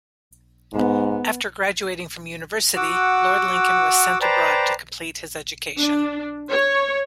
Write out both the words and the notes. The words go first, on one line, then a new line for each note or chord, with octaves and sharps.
After graduating from university, Lord Lincoln was sent abroad to complete his education.
G#2 B3
F#4 F#5 D6 E6
B4 C5 D5 G5 A5 A#5
D4
C#5